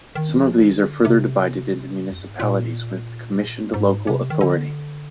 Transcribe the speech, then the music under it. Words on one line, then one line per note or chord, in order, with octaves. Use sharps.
Some of these are further divided into Municipalities with Commissioned Local Authority.
D#3
F3
D#3
D3
C3
F2
G2
G#2
A#2
G#2
C3
D#3
D3